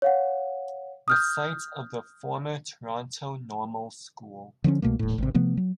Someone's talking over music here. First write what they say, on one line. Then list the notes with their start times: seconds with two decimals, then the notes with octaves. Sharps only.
The site of the former Toronto Normal School.
0.02 C#5 F5 F#5
1.08 D#6 F6 G6
4.64 D3 F3 C4 C#4
4.82 C2 B2 A3 A#3
4.99 D#1 A2
5.18 G#1 C3
5.35 C3 F3 A3 B3
5.57 F#3